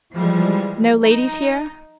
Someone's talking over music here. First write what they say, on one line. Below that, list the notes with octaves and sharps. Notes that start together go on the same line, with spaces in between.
No ladies here?
E3 F3 G3 G#3
D#4